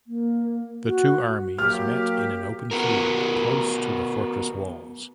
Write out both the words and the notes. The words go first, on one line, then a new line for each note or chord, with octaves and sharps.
The two armies met in an open field close to the fortress walls.
A#3
F#4
F#3 A#3 F#4 G4 F6
B3 F#4 A#4